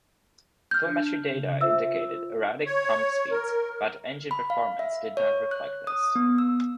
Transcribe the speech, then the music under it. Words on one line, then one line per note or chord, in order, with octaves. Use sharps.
Telemetry data indicated erratic pump speeds, but engine performance did not reflect this.
F6 G6
D4
C#3
F4 C5 E5 E6
C#5
A#4
B5
F5
E5
C#5
F#6
D#6
B3
E6